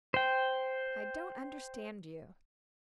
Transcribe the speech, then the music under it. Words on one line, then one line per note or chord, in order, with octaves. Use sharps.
"I don't understand you."
C5 G5